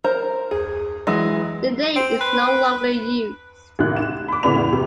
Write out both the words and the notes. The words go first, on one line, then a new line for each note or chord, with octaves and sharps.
The name is no longer used.
A#4 C5 A#5
G#4
E3 F#3 G#3
C4
B4
A1 C3 D#3 F#6
E7
B5 D6
A2 C#3 B3 D5 B5 F7
E2
C3